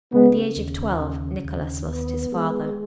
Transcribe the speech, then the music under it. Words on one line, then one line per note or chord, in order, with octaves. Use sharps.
At the age of twelve Nickolas lost his father.
C#3 G#3 B3
D#2
C#3
D#2
B3
G#3